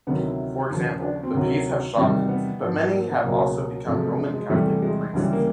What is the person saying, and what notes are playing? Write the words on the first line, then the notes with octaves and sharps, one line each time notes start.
For example, the Paez have shamans but many have also become Roman Catholic priests.
D2 C3 D#3 F#3 B3
E4
D#2 C#3 F3
D4
C4
D2 C3 D#3 F#3
E2 C3 D#3 G3
B3
G#2 F3
A#3
B3
C#2 B2 F#3 A#3
E2 C3 F3 A3
G#3
A3
G#3
G#3
E2 C3 E3 G3 A3
A3
G#3
D2 C#3 E3 G3
A#3